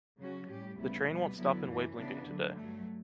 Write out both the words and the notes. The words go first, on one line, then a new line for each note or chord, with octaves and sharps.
The train won’t stop in Waiblingen today.
C#3 F#3 C#4 F#4
A2 G3 C#4 G4
D2 C#3 G3 B3 E4
B2 G3 B3
D3 F#3 B3 E4
F#2 E3 A3
C#3 E3 B3 D4
D2 D3 F#3
G2 F#3 A3